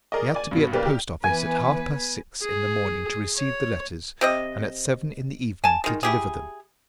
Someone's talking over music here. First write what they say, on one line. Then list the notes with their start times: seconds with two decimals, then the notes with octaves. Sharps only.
He had to be at the post office at half-past six in the morning to receive the letters, and at seven in the evening to deliver them.
0.12 G#4 A#4 D5 D#5
0.35 D5 G#5
0.51 G2 B2
0.72 B1 A#3 G4 B4 D5 F6
0.86 G4
1.24 E3 B3 B4 G#5
2.43 G#4
3.37 C#5
4.21 C3 C4 D#5
5.64 G#5 A5
5.84 D#3 G#3
6.03 E4 G4 G#4